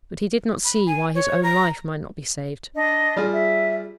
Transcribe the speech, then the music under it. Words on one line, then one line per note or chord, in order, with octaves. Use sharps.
But he did not see why his own life might not be saved.
B5
G#5
C#5
A#5
D4 D#5
G3 F4 G#4
E5